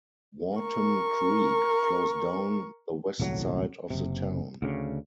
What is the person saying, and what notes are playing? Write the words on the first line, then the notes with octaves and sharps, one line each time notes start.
Wharton Creek flows down the west side of the town.
A#4 C#6
D#1 C2 A2 F#3
F#1 C3
D2 C#3